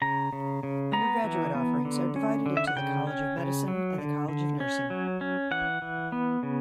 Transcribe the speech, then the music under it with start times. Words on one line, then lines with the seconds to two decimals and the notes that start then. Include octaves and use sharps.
Undergraduate offerings are divided into the College of Medicine and the College of Nursing.
0.02 C#3 A#5
0.33 C#3
0.63 C#3
0.93 B3 A#5
1.24 E3
1.55 B3
1.85 D3
2.16 C#4
2.46 D3
2.57 E5
2.67 F#5
2.76 C#3 G5
3.07 C#4
3.38 C#3
3.68 F#3
3.98 D3
4.29 D3
4.60 C#4
4.90 F#3
5.21 C#4
5.51 E3 F#5
5.82 E3
6.12 B3
6.43 C#3